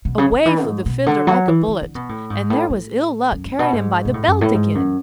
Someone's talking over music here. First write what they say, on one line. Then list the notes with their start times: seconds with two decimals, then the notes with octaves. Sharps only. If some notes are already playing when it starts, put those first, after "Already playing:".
Away flew the Fiddler like a bullet, and there was Ill-Luck carrying him by the belt again.
0.05 B2
0.18 C#3
0.32 D3
0.46 E3
0.66 G#2
0.86 B2
1.06 D3
1.27 F#3
1.48 E3
1.68 D3
1.82 D3
1.95 B2
2.09 A2
2.30 G#2
2.50 A2
2.70 A2
3.32 F#2
3.45 A2
3.59 B2
3.73 G#2
4.05 B2
4.14 A2
4.27 F#2
4.41 A2
4.54 G#2
4.75 F#2